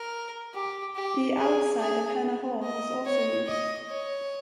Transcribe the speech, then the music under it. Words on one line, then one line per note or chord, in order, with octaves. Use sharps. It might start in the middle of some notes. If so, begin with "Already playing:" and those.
The outside of Hannah Hall was also used.
Already playing: A#4
G4
G4
G#4
G#4
D#5
C#5
D#5
C#5